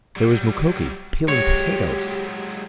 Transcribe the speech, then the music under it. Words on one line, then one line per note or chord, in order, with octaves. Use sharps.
There was Mukoki--peeling potatoes!
F#3 G3
F#3 G#3 G4 C#5